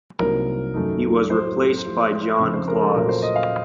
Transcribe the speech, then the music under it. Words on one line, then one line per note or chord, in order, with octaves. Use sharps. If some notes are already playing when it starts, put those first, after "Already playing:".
He was replaced by John Claus.
C2 C3 F#3 A#3 D#4 A#4
F#2 D#3 A3 D#4
A2 F#3 A3 C5
A2 F3 A3
F2 C#3 F3 C4 D#4
C5
A#4
A4
A#2 F#3 A3 C#4 A#4
C5
D#5
F5